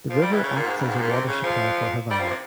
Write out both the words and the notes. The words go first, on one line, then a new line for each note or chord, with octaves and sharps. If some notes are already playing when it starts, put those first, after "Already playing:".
The river acts as a water supply for Havana.
F3
G3
E3
C#3
A#2
G#2
G2
G#2
A#2
C3
C#3
F3
G3
F3
C3